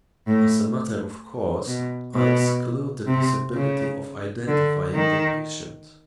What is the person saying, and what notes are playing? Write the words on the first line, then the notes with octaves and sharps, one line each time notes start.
As a matter of course, I exclude the possibility of identifying the patient.
A2
B2
B2
C3
C#3
D3
D#3